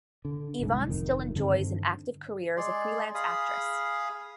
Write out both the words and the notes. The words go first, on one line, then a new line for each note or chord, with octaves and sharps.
Yvonne still enjoys an active career as a freelance actress.
D3
D1 C2 G#2
F1 F2 A2 D#3
G2 D3 D#3 C4
G#3 G#4 D5 C6
G#4 F5 B5 D#6